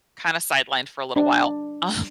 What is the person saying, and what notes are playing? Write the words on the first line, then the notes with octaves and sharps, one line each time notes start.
kind of sidelined for a little while. Um,
D4